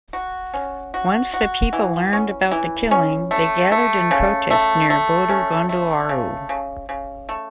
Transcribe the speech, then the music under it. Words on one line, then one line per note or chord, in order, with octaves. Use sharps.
Once the people learned about the killing, they gathered in protest near Bodu Ganduvaru.
F#4
C#4
F#4
F#4
E3
C#4
E3
C#4
A3
A3
C#3
A3
A3
C#4
A3
C#3
C#3
C#3
A3